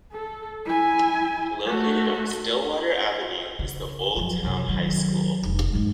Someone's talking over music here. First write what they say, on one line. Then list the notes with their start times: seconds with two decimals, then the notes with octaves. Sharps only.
Located on Stillwater Avenue is the Old Town High School.
0.13 A4
0.66 E4 G#5
1.66 A3 F#4
3.59 C#3
4.16 F#2 F3
4.43 F#2 C3
4.69 D#3 F#3
5.43 F1 D#4
5.73 G#2 G#3